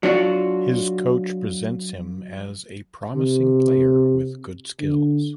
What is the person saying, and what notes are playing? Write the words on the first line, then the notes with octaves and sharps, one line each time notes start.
His coach presents him as "a promising player with good skills".
F#3 D4 F4 F#4
C3
D3